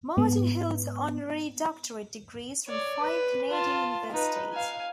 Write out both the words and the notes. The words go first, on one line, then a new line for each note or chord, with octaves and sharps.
Martin holds honorary doctorate degrees from five Canadian universities.
G#2 B3
C#5 D5
B4
F4 A5
D#4 B4
F5 G#5